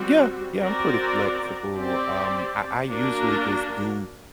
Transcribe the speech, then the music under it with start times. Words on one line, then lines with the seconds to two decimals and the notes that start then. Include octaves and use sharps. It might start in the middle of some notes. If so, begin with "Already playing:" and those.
Yeah. Yeah, I'm pretty flexible. Um, I I usually just do
Already playing: G3 C4 F#4
0.60 C4 F#4 A#4 D5
1.75 C4 G4 D5
2.89 A#3 D4 F#4 A#4